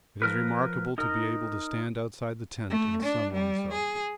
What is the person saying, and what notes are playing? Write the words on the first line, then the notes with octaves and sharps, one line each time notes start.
It is remarkable to be able to stand outside the tent and sun oneself.
F3 A#4 B4
D#4 A#4
A3
D4
G3
G#4